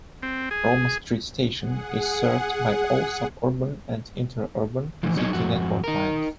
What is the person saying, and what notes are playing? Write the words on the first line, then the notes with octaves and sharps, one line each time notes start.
Roma Street station is served by all suburban and interurban City network lines.
C4
G#4
G#4 F#5
A2 D3 E3 F3
F#3 D#4 G#4 C#5 D#5
F2 G#2 F#4
D#4 A#4